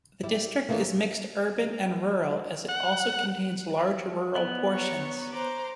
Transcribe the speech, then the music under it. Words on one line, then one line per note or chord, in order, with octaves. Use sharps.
The district is mixed urban and rural as it also contains large rural portions.
G3 E4 G4
D#3 E3 A3 A#3
F#5
B3
C#5 A#5 C#6
C5 A#5 D6